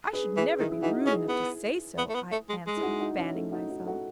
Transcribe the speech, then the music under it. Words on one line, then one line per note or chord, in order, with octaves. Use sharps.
'I should never be rude enough to say so,' I answered, fanning myself.
G#4 B4
E3 G#4 B4
D#3 E4 G#4
E4
E3 D#4 F#4
C#4 E4 G#4
B3
B3
A3
B3
A3
G#3
G#3
E4
D#4 F#4
D#4 F#4
C#4 E4
A3 C#4
D#4 F#4
D#4 F#4
F#4 A4